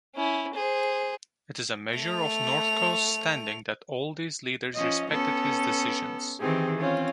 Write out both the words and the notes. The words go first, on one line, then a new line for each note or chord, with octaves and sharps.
It is a measure of Northcote's standing that all these leaders respected his decisions.
C#4 E4
G#4 C5
A3 F7
F3 C#4 D#5
B3 C#4 A4
D#3 E3 C4 G4 G#4
C4 C#4 F4